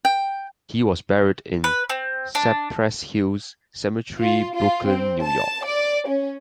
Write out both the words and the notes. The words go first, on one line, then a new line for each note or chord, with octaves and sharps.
He is buried in Cypress Hills Cemetery, Brooklyn, New York.
G5
B4
C4
D4
F4
F4
C4
A5
D5
C#4